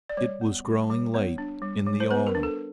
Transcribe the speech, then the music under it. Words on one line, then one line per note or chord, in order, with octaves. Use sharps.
It was growing late in the autumn.
D5
G3 C#5
B3
G3
G3
B3 C#5
D4
G3
G3
C5
B3 B4
A#4
D4
A4